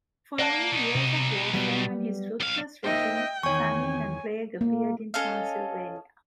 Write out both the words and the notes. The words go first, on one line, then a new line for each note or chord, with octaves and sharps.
Following years of warfare and his ruthless regime, famine and plague appeared in Transylvania.
A#3 D5 F#5 A5
B2 D#4
C3
F#3 G3 B3
B1 F5
A#3 D#4 C5 D#5 E5 G5
E2 D#3 C#5 G#5 C#6
A#3
C#4 A4 D#5 F5